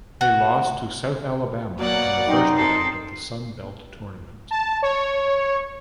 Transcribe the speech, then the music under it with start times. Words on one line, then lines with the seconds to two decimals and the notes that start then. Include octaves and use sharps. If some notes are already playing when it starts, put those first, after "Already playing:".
They lost to South Alabama in the first round of the Sun Belt Tournament.
0.21 F#4
1.79 B2 F#3 A#3 D5 F#5
2.28 F#2 D#4 G5 C6
2.57 C4 A4 C7
4.51 A5
4.82 C#5